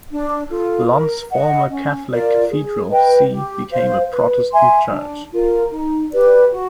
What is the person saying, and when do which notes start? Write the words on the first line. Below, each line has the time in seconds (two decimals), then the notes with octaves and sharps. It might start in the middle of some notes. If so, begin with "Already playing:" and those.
Lund's former Catholic cathedral see became a Protestant church.
0.11 D4
0.50 F4 A4
0.91 A#4
1.30 D#5 F#5
1.70 C#4
2.11 F4 A#4 D5
2.50 G#4
2.90 B4 D#5 G5
3.30 G4
3.70 C5 F5
4.10 B4
4.51 E5 G#5 C6
4.91 D4
5.31 F4 A#4
5.71 D#4
6.11 G4 B4 D5
6.52 F#4